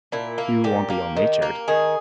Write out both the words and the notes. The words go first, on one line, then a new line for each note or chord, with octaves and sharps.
"You won't be ill-natured?"
A#2 E4
A#3
A#2 G4
A#3
D#3
A#3
D#3 G#4